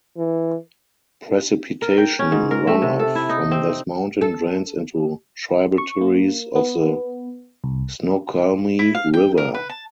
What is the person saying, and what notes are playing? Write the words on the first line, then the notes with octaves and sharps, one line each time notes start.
Precipitation runoff from this mountain drains into tributaries of the Snoqualmie River.
E3
A#4
G5
C#4
G#2
A#4
A3
C3
A4
E4
D#4
C4
A4
C#6
A#3
B3
C2
E4
F5
G5
A#4
B4
A5